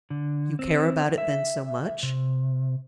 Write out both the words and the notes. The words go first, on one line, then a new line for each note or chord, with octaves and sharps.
"You care about it, then, so much?"
D3
C4
E5
C3